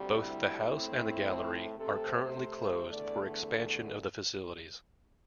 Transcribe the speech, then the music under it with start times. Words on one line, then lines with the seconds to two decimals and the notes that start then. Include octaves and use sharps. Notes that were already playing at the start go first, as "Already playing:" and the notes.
Both the house and gallery are currently closed for expansion of the facilities.
Already playing: D2 C3 G3
0.09 E4
0.66 A2 A3 C4
1.78 C3 A3 C4 A4
2.06 C5
2.89 E2 D3 A3 D5